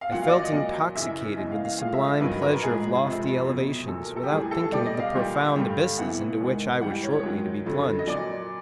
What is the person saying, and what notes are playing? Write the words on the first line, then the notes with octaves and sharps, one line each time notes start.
I felt intoxicated with the sublime pleasure of lofty elevations without thinking of the profound abysses into which I was shortly to be plunged.
F5
A#2 F#3 F#5
F5
D5
D#5
D#5
A#2 F#3
F#2 C#3 E3 E5
E2 C#3 E3 G#3 D#5
F5
F5
A2 F3 G#3 F5
E5
D#5
G2 D#3 F#3 B4
A#4
G#2 F3 G#3 G#4
F2 C3 F3 G#3
E2 B2 F#3
A#2 F#3 A4
A#4
A4
G4
A2 E3 G3 G#4
G#4
A4
B2 G3 D5
D#5
F5
A#2 G3
G2 D3 G3
E2 C3 E3 F#5
G#2 D#3 G#3
G#2 E3 G3 F#5
C#5
G#2 D#3 F#3
F2 D3 F#3
D#5
A#2 F#3 D5